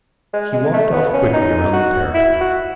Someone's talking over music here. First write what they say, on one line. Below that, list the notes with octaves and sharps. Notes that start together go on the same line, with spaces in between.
He walked off quickly round the parapet.
G#3
G#3
A3
B3
C#4
D#4
F#4
E4
F#4